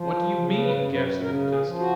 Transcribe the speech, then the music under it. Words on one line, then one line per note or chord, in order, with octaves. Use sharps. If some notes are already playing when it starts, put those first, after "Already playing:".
"What do you mean?" gasped the hypnotist.
Already playing: F3
C#3
B4
F#2
B4
C#3 A#4
G#4
F3
F#4